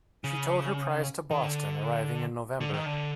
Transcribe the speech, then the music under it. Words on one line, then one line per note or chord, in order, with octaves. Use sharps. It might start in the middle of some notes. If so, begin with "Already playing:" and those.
She towed her prize to Boston, arriving in November.
C#3
D#3
D3
D3
D#3
D3